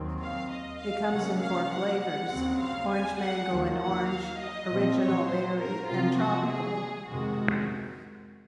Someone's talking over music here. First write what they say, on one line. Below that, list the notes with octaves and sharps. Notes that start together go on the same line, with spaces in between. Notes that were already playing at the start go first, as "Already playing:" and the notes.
It comes in four flavours; Orange, Mango and Orange, Original Berry, and Tropical.
Already playing: D#2 D#3 F#3 C4
F5
D#5
F5
C3 F#3 A#3 C#4 F#5
F5
F#5
F#5
D#2 C#3 F#3 C4
F5
G#5
F#5
D#2 D#3 F#3 A#3
F#5
F5
D#5
A#2 F3 C4
C#5
C5
A#4
C3 F3 C4 F4
F#4
G#4
F2 C3 D#3 G#3 F#4